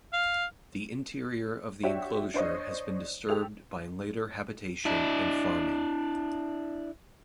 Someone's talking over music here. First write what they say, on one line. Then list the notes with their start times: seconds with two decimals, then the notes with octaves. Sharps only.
The interior of the enclosure has been disturbed by later habitation and farming.
0.13 F5
1.83 D4 F#4 G4 C#5 E5
2.34 D4 C5 C#5 D#5
3.28 G4 A4 F7
4.85 D4 E4